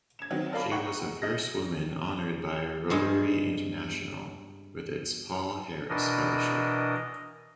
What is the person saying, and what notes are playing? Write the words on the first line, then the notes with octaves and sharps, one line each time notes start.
She was the first woman honored by Rotary International with its Paul Harris Fellowship.
G#6 E7
D#3 F#3 B3 C4
A4 A#4 D5 F5 A5 B5
F#5 G5 A#5 C#6
G#3
D#5 A#6
G2 G#3
B2 E3 D4 A#4 D#5